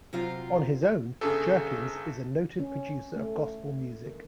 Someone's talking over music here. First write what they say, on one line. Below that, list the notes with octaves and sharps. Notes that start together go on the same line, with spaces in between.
On his own, Jerkins is a noted producer of gospel music.
C3 F#3 F4 C5 F5 A#5
G1 C#3 G#4 A4
C#4
A3
D#3